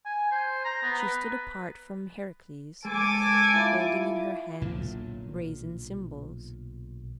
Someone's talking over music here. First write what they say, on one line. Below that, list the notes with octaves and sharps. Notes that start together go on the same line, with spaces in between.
She stood apart from Heracles, holding in her hands brazen cymbals.
G#5
C5
A#5
B3
B4
G#3 A4 G#5 D6 D7
E4 F4
B1 A#2 D3